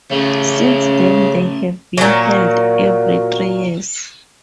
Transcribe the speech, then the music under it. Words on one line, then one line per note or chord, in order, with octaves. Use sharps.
Since then they have been held every three years.
C#3 A3 C#4
A#2 F#3